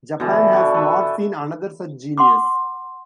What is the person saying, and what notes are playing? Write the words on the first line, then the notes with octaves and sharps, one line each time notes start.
Japan has not seen another such genius.
B2 D3 E3
D4 C#6
A4 B4 E5
F#5 C6 D6